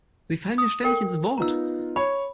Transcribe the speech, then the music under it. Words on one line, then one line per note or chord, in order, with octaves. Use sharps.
Sie fallen mir ständig ins Wort.
D#6
A4 A#4 G5
B3 D#4 F4 A#5 E6
C#5 B5